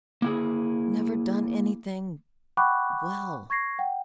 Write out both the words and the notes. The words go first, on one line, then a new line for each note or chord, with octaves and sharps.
Never done anything--WELL....
A#3 E4 G#4
F#5 G5 B5 C#6 D6 F#6
C#6 G#6 A#6 C7
F#5 G5